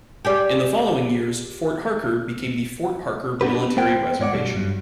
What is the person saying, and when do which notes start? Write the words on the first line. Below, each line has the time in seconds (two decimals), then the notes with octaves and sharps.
In the following years, Fort Harker became the Fort Harker Military Reservation.
0.25 G4 G#4 D5
3.41 B3 D4 F#4 G4 B4
3.77 B3 C5 G5
4.20 G#2 C#5 D5 F#5
4.33 F#2 B2 F#3 G3
4.56 G2